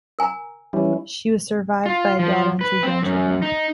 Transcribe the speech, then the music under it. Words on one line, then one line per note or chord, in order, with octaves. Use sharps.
She was survived by a daughter and three grandchildren.
A#4 G#5 A#5
E3 G3 C#4 E4
F4
F3
B4
C4
F#2
D#4